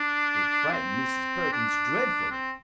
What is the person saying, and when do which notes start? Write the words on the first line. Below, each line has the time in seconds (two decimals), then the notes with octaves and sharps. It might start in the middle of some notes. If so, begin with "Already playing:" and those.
It frightened Mrs. Perkins dreadfully.
Already playing: D4
0.72 C4
1.52 D4
2.31 C4